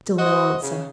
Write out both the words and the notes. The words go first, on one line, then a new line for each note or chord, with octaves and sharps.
Still no answer.
F#4 C5 D#5
C#3